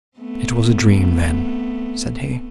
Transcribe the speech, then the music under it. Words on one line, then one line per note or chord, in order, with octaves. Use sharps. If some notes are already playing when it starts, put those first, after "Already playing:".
'It was a dream, then,' said he.
A3 B3 C4